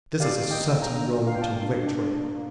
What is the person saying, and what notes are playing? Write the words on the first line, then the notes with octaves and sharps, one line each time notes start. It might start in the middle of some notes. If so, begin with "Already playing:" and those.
This is a certain road to victory.
G4 D5 F5
A#3
D#5 G5
A#3
D4 G5 A#5
A#3
A#3 F5
G5
A#3 F5 A5
D4
D4
D4
A#3